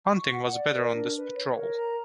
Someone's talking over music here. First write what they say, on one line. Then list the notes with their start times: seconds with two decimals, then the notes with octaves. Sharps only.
Hunting was better on this patrol.
0.12 C#6
0.32 F#5
0.52 D5
0.73 A#4
0.94 D4
1.14 B4
1.35 C#5
1.55 A#4
1.76 A#5